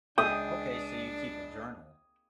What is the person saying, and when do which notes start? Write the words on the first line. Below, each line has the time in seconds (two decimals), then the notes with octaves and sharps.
Okay, so you keep a journal.
0.18 C#2 D4 G#4 E5 G5 D#6